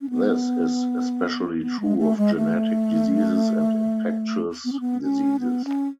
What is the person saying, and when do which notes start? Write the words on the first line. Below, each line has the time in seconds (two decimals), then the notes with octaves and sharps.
This is especially true of genetic diseases and infectious diseases.
0.01 C#4
0.10 B3
1.60 B3
1.80 G#3
1.99 A3
2.17 G#3
2.36 A3
4.65 B3
4.72 C#4
4.80 B3
5.02 C#4
5.40 B3
5.65 C#4